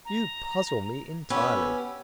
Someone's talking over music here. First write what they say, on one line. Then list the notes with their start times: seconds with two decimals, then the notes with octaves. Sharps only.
"You puzzle me entirely."
0.05 A#5
1.30 B3 C#4 G4 E6